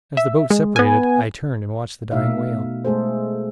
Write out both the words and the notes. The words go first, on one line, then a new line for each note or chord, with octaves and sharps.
As the boats separated, I turned and watched the dying whale.
E5
G#3
B3 G#5
B2 A3 D#4 E5 F5
G#3 A3 G#4 A4 C5